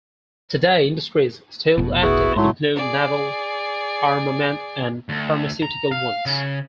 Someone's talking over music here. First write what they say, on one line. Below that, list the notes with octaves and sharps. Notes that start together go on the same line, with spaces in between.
Today industries still active include naval, armament and pharmaceutical ones.
F1 B2
A#1 B3 E4 F#4 G#4
G#2 F#3 G#3 A3 E4 C6
G#4 D5
D2
A#5
F5
C#3